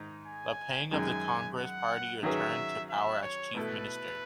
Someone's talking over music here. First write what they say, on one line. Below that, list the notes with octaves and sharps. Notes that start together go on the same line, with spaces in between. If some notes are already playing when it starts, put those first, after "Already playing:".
Lapang of the Congress Party returned to power as chief minister.
Already playing: G#2 D#3 D#4
G#5
F#2 D#3 G#3 G#5
F#5
D#3 F#3 C#4 G#4 B4 E5
E5
C#5
B2 A3 E4 A4 B4